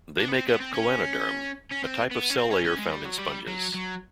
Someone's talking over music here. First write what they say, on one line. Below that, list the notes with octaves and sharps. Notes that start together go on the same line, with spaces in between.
They make up Choanoderm, a type of cell layer found in sponges.
D4
B3
C4
B3
C4
C#4
C#4
C4
B3
C#4
C4
C#4
C#4
G#3
G3
F#3
G3
F#3
F#3